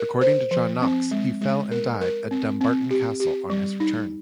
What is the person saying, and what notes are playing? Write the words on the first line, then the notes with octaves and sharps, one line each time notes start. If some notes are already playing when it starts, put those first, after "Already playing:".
According to John Knox he fell and died at Dumbarton Castle on his return.
Already playing: A#4
C5
F3
C4
G#3
G#3
A#4
A#4
C4
C4
G4
G4
G3
D#4